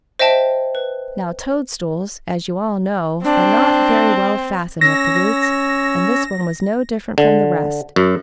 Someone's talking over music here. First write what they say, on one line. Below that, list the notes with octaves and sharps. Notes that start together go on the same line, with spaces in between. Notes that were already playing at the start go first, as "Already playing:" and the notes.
Now toadstools, as you all know, are not very well fastened at the roots, and this one was no different from the rest.
C5 D#5 E5 G5 A5
B4
C4 D4
C#4 C#5 E6 A#6
D3
F#2